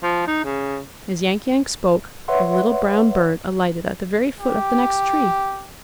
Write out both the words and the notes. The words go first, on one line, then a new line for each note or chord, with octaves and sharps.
As Yank-Yank spoke, a little brown bird alighted at the very foot of the next tree.
F3
D#4
C#3
B4 C#5 E5 F#5 C6
G4